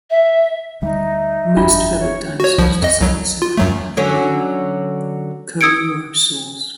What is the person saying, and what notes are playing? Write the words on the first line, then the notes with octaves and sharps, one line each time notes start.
Most feathered dinosaurs discovered so far have been coelurosaurs.
E5
D2 G3 D#4 E5
F#1 E2 D4 F4
C#5
F#4 C#5
C2 F3
F2 D#5
C2 F#3
F4
F#2 F#3 A3
D3 F#3 C#4
D#6 E6 G#6 C#7 D7